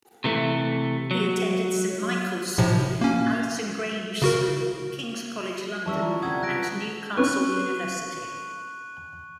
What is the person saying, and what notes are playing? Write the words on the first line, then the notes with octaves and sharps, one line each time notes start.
He attended Saint Michael's School, Allerton Grange School, King's College, London, and Newcastle University.
C3 E3 A3
F#3
A2 C3 F3
A#3 C#4
C#3 F#4 A#4
E3 G3 C#4 D5 E5 A5 C#6 E6
F4 A#5 C#6
D2 C3 F#5 D#6 G#6
C#3 F4 F#6 A#6 D7
B4
C#4 B4 C#6 F#6